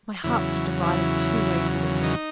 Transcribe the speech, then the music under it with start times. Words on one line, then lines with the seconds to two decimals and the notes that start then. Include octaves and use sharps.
My heart stood divided two ways within me.
0.24 E2 C#3 F#3 E4
0.84 E4
2.03 D#4